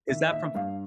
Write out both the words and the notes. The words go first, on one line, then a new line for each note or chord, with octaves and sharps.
Is that from
D#3 E5
D#5
A#3 E5
G2 F5